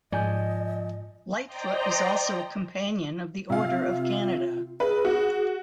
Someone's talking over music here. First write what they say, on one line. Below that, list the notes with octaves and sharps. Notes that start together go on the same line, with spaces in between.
Lightfoot is also a Companion of the Order of Canada.
G#2 F3 D5 D#5 G#5 G6
C5 D5 D#5 G5 A#5 C6
C3 F4 F5
G#4 B4
F#4